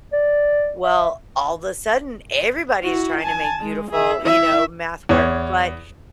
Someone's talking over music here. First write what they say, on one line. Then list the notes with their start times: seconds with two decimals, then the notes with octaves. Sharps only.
Well, all the sudden, everybody is trying to make beautiful, you know, math work, but
0.13 D5
0.83 E5
2.84 E4 F#4
3.21 G#5 A5
3.60 G#3
3.91 G#4 E5
4.22 E4 E5
5.09 E2 C#5